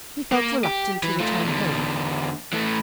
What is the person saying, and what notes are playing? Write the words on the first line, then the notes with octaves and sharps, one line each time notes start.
He felt reluctant to return home.
A#3
G4
E3
A3 F4
E2 D3
E3 A3